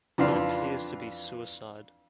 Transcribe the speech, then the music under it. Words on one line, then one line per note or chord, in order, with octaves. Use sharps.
It appears to be suicide.
F2 E3 D4 F4 F5